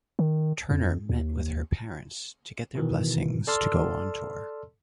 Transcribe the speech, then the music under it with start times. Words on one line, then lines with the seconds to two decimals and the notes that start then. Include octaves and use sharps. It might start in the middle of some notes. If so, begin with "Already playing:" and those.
Turner met with her parents to get their blessings to go on tour.
0.19 D#3
0.70 F2
1.09 D#2
2.75 B2 D#3 E3
3.47 A4 D5 A5 C6 E6 F6